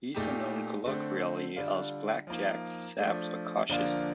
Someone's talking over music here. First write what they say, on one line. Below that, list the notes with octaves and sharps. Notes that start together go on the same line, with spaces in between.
These are known colloquially as blackjacks, saps, or coshes.
A#2 A3 D#4 G4
D3 A3 C4
D3 G3 D4 F4
F3 A#3 D#4
F3 A3 D4
D3 F3 A#3 D4 F4